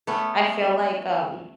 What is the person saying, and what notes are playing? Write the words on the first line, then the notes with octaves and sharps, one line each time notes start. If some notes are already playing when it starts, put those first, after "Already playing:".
I feel like, um
A3 B3 C#4